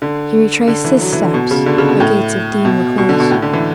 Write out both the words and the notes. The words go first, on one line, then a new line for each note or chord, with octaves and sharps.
He retraced his steps; the gates of D---- were closed.
D3
D3
E3
F#3
E3
D3
B2
C#3
D3
C#3
B2
A2
B2
B2
D3
B2
A2
D3
E3